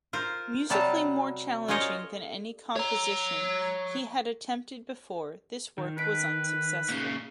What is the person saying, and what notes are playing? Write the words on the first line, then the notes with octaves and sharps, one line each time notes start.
Musically more challenging than any composition he had attempted before, this work was unsuccessful.
F4 A#4 C5
C3 F#3 G3 A5
C#4 F4 A#4 C5 C#5 D#5
C#5 A#5
D#3
D#4 B4 B6 D7
A#2 C#3